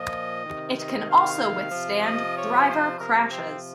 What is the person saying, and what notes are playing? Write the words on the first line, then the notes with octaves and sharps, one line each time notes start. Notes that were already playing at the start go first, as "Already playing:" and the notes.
It can also withstand driver crashes.
Already playing: A#2 F3 D#5
C3 D#3
D#5
F5
C3 F3
D#5
C#5
C5
C3 A#4
F3
C4